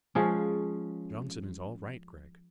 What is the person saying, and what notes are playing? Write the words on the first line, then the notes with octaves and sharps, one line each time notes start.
"Johnson is all right, Gregg."
F3 G#3 C#4